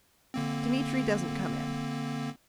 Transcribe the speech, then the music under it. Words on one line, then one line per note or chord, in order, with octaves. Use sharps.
Dmitri doesn't come in.
D3 A#3 C4